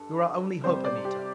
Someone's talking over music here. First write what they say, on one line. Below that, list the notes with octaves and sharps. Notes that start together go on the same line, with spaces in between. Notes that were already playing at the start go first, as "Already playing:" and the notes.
You're our only hope, Anita!
Already playing: G2 A4
C3 G3 C4 C5
D5
G4